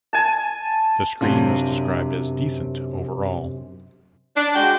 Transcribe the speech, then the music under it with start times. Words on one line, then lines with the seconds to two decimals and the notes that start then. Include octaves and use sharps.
The screen was described as "decent" overall.
0.13 G#5 A5
1.21 F#2 C3 D4 F4
4.36 D4
4.55 G#3 F#4 G5